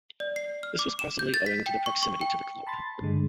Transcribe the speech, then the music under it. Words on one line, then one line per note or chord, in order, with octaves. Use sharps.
This was possibly owing to their proximity to the club.
D5
C7
F6
D6
E7
G6
A6
B6
G5
C#6
C#6
G5
A5 B5 C6 A6
G2 D3 G#3